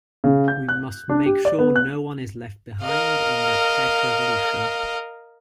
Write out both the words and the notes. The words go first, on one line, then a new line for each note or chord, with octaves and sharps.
We must make sure no one is left behind in the tech revolution.
C#3
G6
F#6
D4
G4
D5
B3
F#6
A#4 D#5 F5